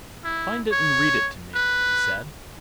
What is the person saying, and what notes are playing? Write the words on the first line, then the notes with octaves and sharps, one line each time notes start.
"Find it and read it to me," he said.
E4
C#5
B4